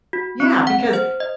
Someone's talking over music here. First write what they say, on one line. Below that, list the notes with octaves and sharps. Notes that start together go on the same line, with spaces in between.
yeah, because
F#4
C4
F#5
C5
D#5